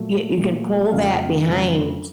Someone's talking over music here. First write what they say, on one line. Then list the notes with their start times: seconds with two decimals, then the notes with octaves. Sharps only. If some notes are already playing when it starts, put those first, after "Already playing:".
yeah, you can pull that behind.
Already playing: A#2 F#3 A3
0.37 A#2 F#3 A3
0.91 F2 C#3 F#3 A3 D#5 F5
1.46 F2 C#3 F#3 A3